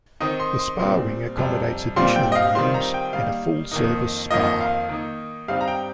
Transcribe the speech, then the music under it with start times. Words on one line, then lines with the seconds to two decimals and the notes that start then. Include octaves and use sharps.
The spa wing accommodates additional rooms and a full-service spa.
0.20 D#3 C4 D#4 D#6
0.40 C6
0.59 C6
0.79 A#2 G3 C4 C6
1.38 F2 C3 G3
1.96 A#2 G3 C4 F4 C6
2.16 G5
2.32 D#5
2.35 F5
2.55 D#3 G3 C4 F4 C6
2.74 A#5
2.94 G5
3.13 D#3 G3 A#3 F5
3.71 F2 D#3 A#3 D#4
4.31 F2 D#3 A#3 F4 D#5
4.61 F5
4.89 D#3 A#3 D#4
5.48 G2 G3 C4 D#4 F5
5.61 A#5
5.68 G5